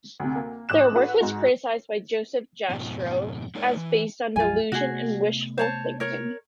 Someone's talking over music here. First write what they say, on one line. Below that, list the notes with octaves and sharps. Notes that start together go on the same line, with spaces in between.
Their work was criticized by Joseph Jastrow as based on delusion and wishful thinking.
D2 C3
A#3
A1 F#6 E7
F#4 A4 B4 F#5
G#2 G#3 F#4
F2 G#2 B2
G#3 A#3 D#4 A#4 C#5 D5
D#3 E3
B1 F#2 F3 F4 G#5
C3 A3 B3 F#4 G#4
C5 C#5 A5
A#4 C#5